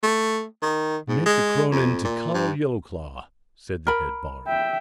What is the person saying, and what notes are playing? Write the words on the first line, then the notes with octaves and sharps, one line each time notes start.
Make a cronan to Conall Yellowclaw,' said the head bard.
A3
D#3
G#2
G#3
F2
A#2
G2
A#4 B5
E5 G5